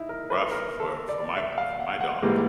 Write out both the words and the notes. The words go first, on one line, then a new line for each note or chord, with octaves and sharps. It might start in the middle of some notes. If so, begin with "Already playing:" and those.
rough for for my for my dog,
Already playing: D#4 E4
A#4
B4
A#4
A4
D5
E5
F5
F#5
F#5
G#2 E3 G3 A#3